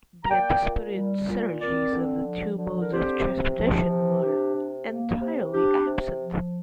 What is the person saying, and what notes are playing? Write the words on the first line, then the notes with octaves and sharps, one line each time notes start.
The anticipated synergies of the two modes of transportation were entirely absent.
A#5
A#3 D5 G5
A#2
G3
A#2
C4 A#4 D5
D3
F3
D3
A#4
C4 G4 C5
C3
F3
C3
D4 G4
C3
A#3
C3
D4 G4
C3
F3